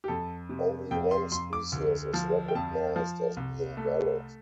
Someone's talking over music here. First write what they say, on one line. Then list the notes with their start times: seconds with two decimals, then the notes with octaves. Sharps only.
Only one species is recognized as being valid.
0.04 G4
0.08 F2 A4
0.49 C3
0.91 F2 G5
1.11 C6
1.31 F2 C6
1.53 D6
1.72 D2
2.13 F3
2.48 G5
2.55 F2 A5
2.96 F3
3.37 C2
3.77 A3